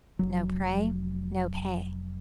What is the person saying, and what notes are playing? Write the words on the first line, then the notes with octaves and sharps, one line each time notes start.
No prey, no pay.
F1 F#3